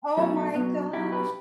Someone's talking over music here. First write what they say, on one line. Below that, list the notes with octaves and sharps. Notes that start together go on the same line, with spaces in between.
Oh my gosh.
B2 F#3 A3 C#4
A3
B2 F#3 B3
B2 F#3 E4 G4
G4 B4